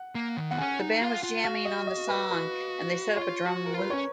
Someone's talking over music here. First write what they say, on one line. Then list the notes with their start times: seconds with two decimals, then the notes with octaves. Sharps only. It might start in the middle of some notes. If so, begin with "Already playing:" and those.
The band was jamming on the song, and they set up a drum loop.
Already playing: F#5
0.15 A#3
0.37 D#3
0.51 B3 F#5
0.58 C#4 G#5
0.79 D#4
1.01 F4
1.23 F4
1.44 F#4 F5
1.65 D#5
1.87 D#5
2.09 B4
2.31 B4
3.16 F4 C#5
3.45 F#4
3.66 A#4
3.74 F4 B4
3.90 C#4 C#5